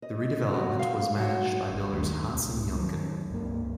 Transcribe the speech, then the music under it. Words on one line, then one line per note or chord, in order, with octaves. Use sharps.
The redevelopment was managed by builders Hansen Yuncken.
D#5
F#3
F5
F#3
G1
D#2 D#3 A3
C#2
D#3 F#3
C#2 G2 A#3